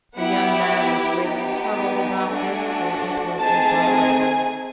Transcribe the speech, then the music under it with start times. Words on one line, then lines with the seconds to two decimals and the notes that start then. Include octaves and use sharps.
The young man was greatly troubled about this for it was a borrowed one.
0.17 B3 E4 G4 F#5
1.25 B3 D#4 G4 G5
1.78 G#5
2.31 A3 D4 F#4
3.39 A3 C4 D#4 G#4 A5
3.92 G#5